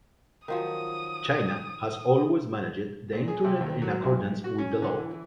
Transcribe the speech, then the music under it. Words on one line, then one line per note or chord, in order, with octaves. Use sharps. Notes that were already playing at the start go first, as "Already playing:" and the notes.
China has always managed the Internet in accordance with the law.
D#3 F3 F#3 D#6
A#2
G#4
C3
D#2
F#3
B1
F#4
C#4
D3
E3
E3